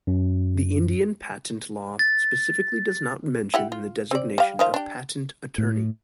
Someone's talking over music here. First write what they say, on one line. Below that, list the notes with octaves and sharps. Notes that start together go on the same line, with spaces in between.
The Indian Patent Law specifically does not mention the designation of "Patent Attorney".
F#2
A6
E4 G4 F#5
F4
C4 D5
G3 F5
D#3 F3 F5
D4 G4
A2